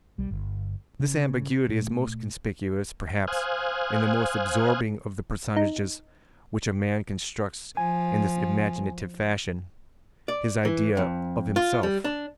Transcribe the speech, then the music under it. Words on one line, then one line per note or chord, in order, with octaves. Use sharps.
This ambiguity is most conspicuous, perhaps, in the most absorbing of the personages which a man constructs in this imaginative fashion--his idea of himself.
B1 G3
G1
C#3
A#2 A3
C5 F5 G#5 D#6 F6 F#6
D#4
F3 G#5
D5
E3
F2
F4
G3
D4